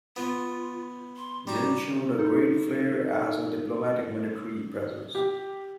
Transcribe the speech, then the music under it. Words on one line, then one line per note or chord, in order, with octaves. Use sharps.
Dill showed a great flair as a diplomatic military presence.
B3 F4
C6
G3 F#4 A#5
D#4 A4
G4